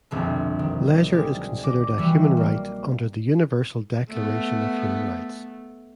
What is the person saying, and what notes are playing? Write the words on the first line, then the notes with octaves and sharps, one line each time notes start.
Leisure is considered a human right under the Universal Declaration of Human Rights.
G1 C2 F2 B2
D#3
G3 G#3
D6 A#6
E3 G3 F#4
A#3
A3 B3